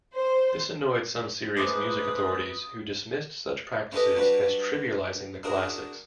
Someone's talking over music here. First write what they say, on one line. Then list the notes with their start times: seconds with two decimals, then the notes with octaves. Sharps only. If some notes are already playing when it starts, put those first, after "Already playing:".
This annoyed some serious music authorities, who dismissed such practices as trivializing the classics.
0.14 C5
1.57 G#3 A3 B4 C5 D6 D#6
3.92 C#4 E4 G4 A4 B4 D#5
4.16 F#3 G3 D4 F#4 B4
5.44 D4 E4 F#4 G#4 A#4